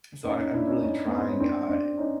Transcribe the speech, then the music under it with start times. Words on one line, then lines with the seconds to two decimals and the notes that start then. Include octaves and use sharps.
so, I I'm really trying, uh,
0.24 C#4 D#4
0.39 C#4 D#4
0.54 D4 E4
0.67 C#4 D#4
0.82 C#4 D#4
1.07 B3
1.18 C4
1.29 C#4
1.39 C4 D4
1.69 C4 D4
1.98 C#4 D#4